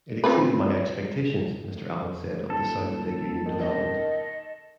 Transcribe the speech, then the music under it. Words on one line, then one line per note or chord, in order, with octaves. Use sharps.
"It's exceeded my expectations," Mr. Allen said of the South Lake Union development.
C4 F4 B4
D#1 A4
D#3
D#5